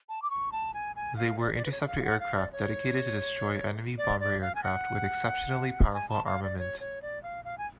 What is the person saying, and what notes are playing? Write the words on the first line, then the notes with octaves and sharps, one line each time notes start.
They were interceptor aircraft dedicated to destroy enemy bomber aircraft with exceptionally powerful armament.
A5
D6
C#6
A5
G#5
G#5
F5
D5
D5
B4
C#5
D5
F5
F5
F#5
F5
D5
C#5
D5
D5
F5
G#5
F#5
G#5
A5
F5
D5
C#5
C#5
D5
F5
F5
G#5